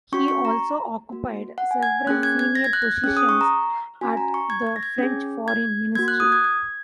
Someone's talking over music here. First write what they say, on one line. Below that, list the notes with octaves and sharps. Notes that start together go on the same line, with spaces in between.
He also occupied several senior positions at the French foreign ministry.
C#4 F#4 C#6
C#6
A#5
A#3 F#4
F#5
G#5
G#6
A#3 C#4 G#4 F#6
G#6
G#6
A#6
G#6
F#6
G#6
C#4 G#4 F#6
D#6
C#6
A#5
C#4 F#4 G#5
A#5
C#6
G#6
G#6
A#6
G#6
C#4 G#4
G#6
A#3 F#4 G#6
F#6
D#6
G#6
G#6